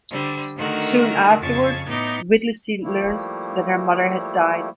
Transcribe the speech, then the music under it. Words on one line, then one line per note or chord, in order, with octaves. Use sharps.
Soon afterward, Whittlesey learns that her mother has died.
D3 G3 C5
D3 D#3 A3 F#4 A#4
F2 C#3 A5 C#6 G#6
A2 B3 D#4 D6 G6
F3 G3 A3 A#3 E4